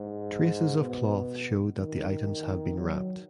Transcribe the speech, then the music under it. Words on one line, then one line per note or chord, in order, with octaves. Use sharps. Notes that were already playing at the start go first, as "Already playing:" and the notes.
Traces of cloth showed that the items had been wrapped.
Already playing: G#2
B2
D#3
F#3